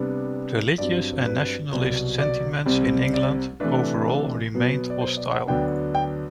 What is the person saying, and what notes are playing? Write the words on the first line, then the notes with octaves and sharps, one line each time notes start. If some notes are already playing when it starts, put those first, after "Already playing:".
Religious and nationalist sentiments in England overall remained hostile.
Already playing: C3 G3 B3 D4
G2 F#3 C4 D5
B4
C2 B2 F#3
D5
C2 C3 G3 C4
D5
C3 E3 A3 D4 B4
B2 F#3 B3
D5
C5
D5
F#5
D2 D3 F#3 B3 D4 G5
G5